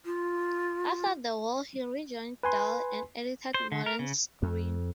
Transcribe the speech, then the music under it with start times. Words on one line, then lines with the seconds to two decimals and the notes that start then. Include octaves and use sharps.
After the war he rejoined Dell and edited Modern Screen.
0.05 F4
2.43 B4 G#5 C6
3.54 C5
3.72 D3
3.86 A#4
3.99 C#3
4.43 F2